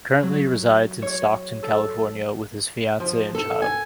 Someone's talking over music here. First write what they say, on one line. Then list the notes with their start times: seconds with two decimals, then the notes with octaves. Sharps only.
Currently resides in Stockton, California with his fiance and child.
0.23 F#3
1.02 C#5
1.63 A4
3.00 F3
3.35 A4
3.62 G#5